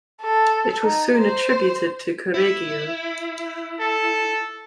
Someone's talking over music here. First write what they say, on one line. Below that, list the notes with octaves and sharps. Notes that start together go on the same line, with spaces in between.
It was soon attributed to Correggio.
A4
D#4
C5
E4
A4